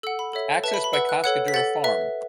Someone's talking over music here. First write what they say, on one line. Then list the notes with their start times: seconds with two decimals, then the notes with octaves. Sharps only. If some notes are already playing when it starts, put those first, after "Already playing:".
Access by Cascadura Farm.
0.03 A4 F#5 E6
0.19 B5
0.33 A4 C#5 E5
0.64 B4 E5 A5
0.74 B5
0.84 B5
0.93 B4 F#5 E6
1.09 F#6
1.24 A4 C#5 F#5 F#6
1.48 B6
1.54 A4 F#5 A6
1.84 B4 E5